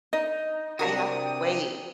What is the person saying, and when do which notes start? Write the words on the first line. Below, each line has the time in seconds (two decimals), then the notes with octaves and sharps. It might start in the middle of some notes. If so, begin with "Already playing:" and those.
"I have to wait
0.13 D#4 D#5
0.79 C3 D4 F#4 A#4 G5 D#6